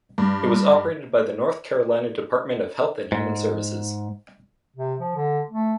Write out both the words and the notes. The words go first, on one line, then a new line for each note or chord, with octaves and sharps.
It was operated by the North Carolina Department of Health and Human Services.
G2
G#2
C3
F3
D3
A3